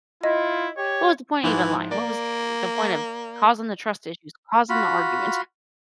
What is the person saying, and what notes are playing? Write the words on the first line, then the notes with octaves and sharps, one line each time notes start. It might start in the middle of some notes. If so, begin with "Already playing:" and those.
What was the point of even lying? What was the point of causing the trust issues, causing the argument?"
E4 F4 D#5
G4 C#5
G#2 E3 F3 E4
A#3 D5
F4 F#4 B5